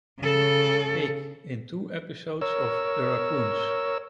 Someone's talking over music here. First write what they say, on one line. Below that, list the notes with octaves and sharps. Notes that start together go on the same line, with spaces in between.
Pig in two episodes of "The Raccoons".
C#3 A4
A#4 C#5 E6